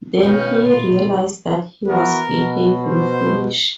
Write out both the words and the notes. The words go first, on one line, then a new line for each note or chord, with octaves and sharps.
Then he realised that he was behaving foolishly.
B2 D#3 C#4 B4 F5 G5
A#2 F4
E3 B3 F#4 A#4
B2
C5